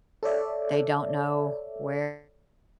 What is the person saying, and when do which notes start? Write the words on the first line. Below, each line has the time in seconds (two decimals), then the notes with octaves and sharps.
they don't know where,
0.23 A4 C#5 D5 E5